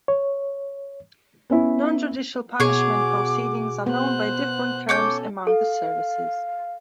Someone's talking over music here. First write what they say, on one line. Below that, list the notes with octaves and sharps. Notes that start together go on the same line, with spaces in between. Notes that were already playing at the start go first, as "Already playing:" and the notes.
Non-judicial punishment proceedings are known by different terms among the services.
C#5
B3 C#4 E4
B2 G#4 C#5 F#5 D6
B3 C5 F#6
C#4 A4 C#5 D6 G6
A4 F5